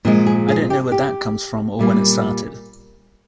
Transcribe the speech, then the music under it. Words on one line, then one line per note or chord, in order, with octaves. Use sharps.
I don't know where that comes from or when it started.
A#2 F3 G#3 D4
G#4
G#4
G4
G4
A#2 G3 A#3